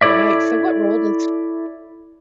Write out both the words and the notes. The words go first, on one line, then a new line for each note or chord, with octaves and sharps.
Right. So what role does
E4 A4 C#5 D5 E5